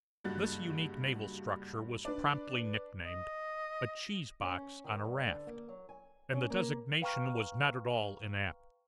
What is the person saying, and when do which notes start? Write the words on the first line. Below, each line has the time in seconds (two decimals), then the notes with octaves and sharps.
This unique naval structure was promptly nicknamed "a cheese-box on a raft," and the designation was not at all inapt.
0.24 F#1 G2 F#4 F#6 A6
2.05 D4 B4 D5
3.05 D#5
4.42 C#4
4.84 D#3
5.04 G2
5.26 D3
5.47 A#3
5.69 F#3
5.89 G#5
6.33 C#4
6.50 A#3
7.01 B4 F5 G5 A#5 C#6 F6